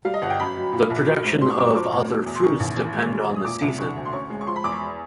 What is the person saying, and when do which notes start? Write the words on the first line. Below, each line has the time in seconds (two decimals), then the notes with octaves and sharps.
The production of other fruits depend on the season.
0.05 G3 F5
0.14 D#5
0.22 G1 F#5
0.30 G5
0.40 F#2 B5
0.56 F#3
0.73 A#2
0.90 A#1
1.07 F#3
1.25 G#2
1.41 G3 C6
1.50 C#6
1.58 F#2 D6
1.67 C#6
1.75 F3 D6
1.92 A2
2.09 B2
2.26 E2
2.35 C6
2.43 D#3 C#6
2.60 A1
2.77 E3
2.94 G#3
3.11 F#3
3.28 E2
3.35 D#6
3.45 A#2 D6
3.62 C2
3.79 D3 C#6
3.96 D2
4.05 C6
4.13 C#4 C#6
4.30 G#3
4.41 C#6
4.47 F3 C6
4.56 B5
4.64 E2 D6
4.72 C#6